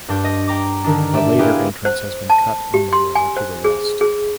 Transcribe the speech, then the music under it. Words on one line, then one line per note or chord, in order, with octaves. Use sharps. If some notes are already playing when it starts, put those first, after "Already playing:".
A later entrance has been cut in the wall to the west.
G2 D4 G6
D#5
G5 A#5 D6
D3 D#3 D4
G4 D5 E5
B3 E4 F4 G4 G#4 G5
C5
A5
G4
C6
G#5
C5
G#4
G#4